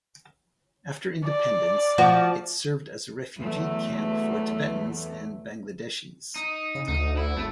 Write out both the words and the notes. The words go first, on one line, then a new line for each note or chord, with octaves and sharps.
After independence, it served as a refugee camp for Tibetans and Bangladeshis.
D5
F3 F#4
E2 F#3 A3
D#4
C#3
D2 D#4
E4
G#1 A3